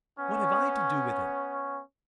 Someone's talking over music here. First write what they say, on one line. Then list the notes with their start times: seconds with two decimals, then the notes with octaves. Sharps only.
"What have I to do with it?"
0.18 B3 C#4